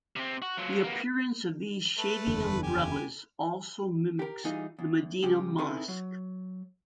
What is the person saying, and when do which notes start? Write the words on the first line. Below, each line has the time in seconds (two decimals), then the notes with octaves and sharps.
The appearance of these shading umbrellas also mimics the Medina Mosque.
0.16 C3 C4
0.42 F#4
0.58 F#3 F4
0.84 A#3 B3
1.98 A3 B4 A5
2.27 F#1 E2 D3
2.63 G4 G#5
4.19 G4 A#4
4.44 E3 G3 D#4 F4 G#4
4.79 E2
5.23 G2 C#3 G4
5.58 C4 D#4 E4 G#4 A4 B4
5.88 F#3